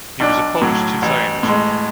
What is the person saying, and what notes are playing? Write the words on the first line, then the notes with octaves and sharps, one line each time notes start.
He was opposed to Zionism.
B1 D4
A2 F#3
A1
A2
G#3